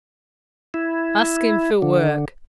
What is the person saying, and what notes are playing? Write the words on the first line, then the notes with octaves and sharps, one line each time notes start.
'Asking for work.
E4
D3